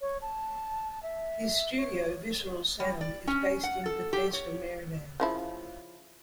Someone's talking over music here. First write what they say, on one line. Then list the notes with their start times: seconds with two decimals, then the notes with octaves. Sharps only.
His studio, Visceral Sound, is based in Bethesda, Maryland.
0.01 C#5
0.22 A5
1.03 E5
1.77 C#5
2.80 G3
3.01 D5
3.27 C#4
3.63 F#5
3.86 A4
4.13 G4
4.33 C#5
5.20 C#3 F3 E4